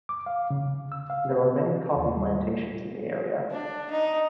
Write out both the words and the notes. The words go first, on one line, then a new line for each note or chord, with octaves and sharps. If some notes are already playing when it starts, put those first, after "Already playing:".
There are many coffee plantations in the area.
D6
F5
C#3
E6
F5
B4
D#2
G3
D4
D#4